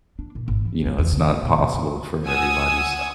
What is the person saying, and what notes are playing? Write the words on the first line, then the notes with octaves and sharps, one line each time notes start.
you know, it's not possible for everybody, so
D4
A#2
G#1
E3
E2
E2
C#3
F3
A#2
C3
G2
F#5 G#5 D#6 E6